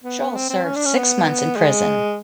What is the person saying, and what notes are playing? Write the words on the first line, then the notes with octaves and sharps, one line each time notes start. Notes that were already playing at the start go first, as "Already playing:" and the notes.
Scholl served six months in prison.
B3
C4
C4
C#4
D4
C#4
B3
G#3